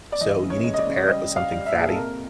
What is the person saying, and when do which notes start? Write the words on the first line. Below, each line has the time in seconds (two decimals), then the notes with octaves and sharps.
So, you need to pair it with something fatty
0.12 D5
0.21 E3 D#5
0.43 C#3
0.50 C#5
0.64 G#3
0.74 D#5
0.78 D5
0.86 C#3
1.07 G3 D#5
1.30 G3
1.36 F5
1.51 G3
1.66 E5
1.73 A#2
1.80 G#4
1.87 A4
1.94 C3 A#4